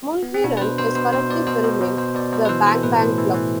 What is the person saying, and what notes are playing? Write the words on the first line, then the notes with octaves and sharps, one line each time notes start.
Mulheron is currently filming "The Bang Bang Club".
B3
C4
B2 D4
B4
B2 C5
B2 C5
B2 C5
B2 C5
B2 D5
B2 C5
B2
B2
B2 C5
B2 D5
B2 C5
B4
E3 C5
E3 A4
A2 B4
A2 C5
E3
E3